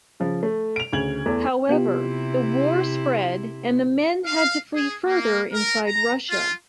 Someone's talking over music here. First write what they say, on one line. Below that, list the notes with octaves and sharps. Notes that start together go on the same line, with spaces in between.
However, the war spread and the men had to flee further inside Russia.
C#3 F3
A3
D7 F7
D2 C#3 G#6 F#7
E2 A3
C3 B3 E4 F4 G4
F5
G#4
A#3
A#4
A#5
F4